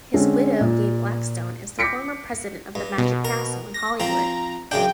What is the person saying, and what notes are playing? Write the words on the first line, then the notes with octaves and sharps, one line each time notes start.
His widow, Gay Blackstone, is the former president of The Magic Castle in Hollywood.
D3 G#3 C4 C#4
A#2
D6 G6 A#6 B6 C#7 D7
G2
B2
A#4
A#6
F3 C4 A#5
F#2 C#3 D4 G5